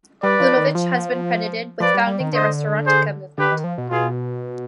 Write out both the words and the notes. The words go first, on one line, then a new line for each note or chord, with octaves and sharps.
Ludovic has been credited with founding the Restaurantica movement.
G3 B4 D5
F3
D#3
F3
F3 B4 D5
G3
G3
D#3
D3 C5 D#5
G#4 C5
D3 G4 B4
D#3
F3
B2
B2 F4 G#4